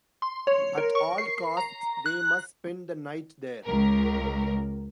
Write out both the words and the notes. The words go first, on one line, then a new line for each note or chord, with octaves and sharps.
At all costs they must spend the night there.
C6
C#5
A#4
C#6
C7
A#5
F#6
C#2 A#4